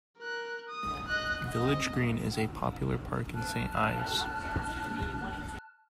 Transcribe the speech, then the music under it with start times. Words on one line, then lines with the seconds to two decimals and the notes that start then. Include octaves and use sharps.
Village Green is a popular park in Saint Ives.
0.19 A#4 F#6
0.69 D#6
1.08 D#5 F#6
1.48 D#5
3.34 A5 F6 F#6